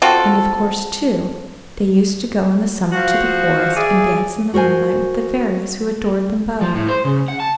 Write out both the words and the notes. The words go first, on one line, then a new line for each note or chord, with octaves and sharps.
And of course, too, they used to go in the summer to the forest, and dance in the moonlight with the fairies, who adored them both.
C4 F4 F#4 A4
F3 F#4 F5
G#4 D5 E5
F#4 A#4 C5 G#5
F3
A2
C5
C#3
F#5
A5